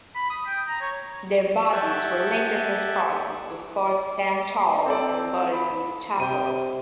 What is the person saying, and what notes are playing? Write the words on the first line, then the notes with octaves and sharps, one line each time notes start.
Their bodies were later transported to Fort Saint-Charles and buried in the chapel.
B5
D#6
G5
A#5
C#5
G4 A4 E5 F#5 G#5
C4 A4 D5
B5
C3 G5 D#7